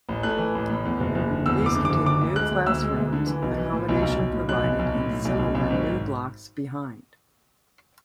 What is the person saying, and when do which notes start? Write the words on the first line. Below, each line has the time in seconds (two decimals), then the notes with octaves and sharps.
These contained new classrooms, with accommodation provided in similar new blocks behind.
0.09 A1
0.23 A3 F#6
0.38 E3
0.55 A1
0.70 A2
0.85 E2
1.00 F#1
1.15 F#1
1.30 D3
1.46 E2 E6
1.61 F#1
1.66 D6
1.76 D3
1.85 D6
1.90 F#1
2.05 D3 D6
2.21 D2
2.36 G#3 F#6
2.51 D2
2.67 D2 E6
2.82 G#3
2.97 D2
3.13 D3
3.27 E3
3.42 B1
3.58 E3
3.73 A2
3.89 B1
4.02 B1
4.19 B1
4.33 A2
4.49 B1 F#6
4.64 B1
4.79 B1
4.94 A2
5.09 A2
5.25 B1
5.39 B1
5.55 B1
5.70 G#1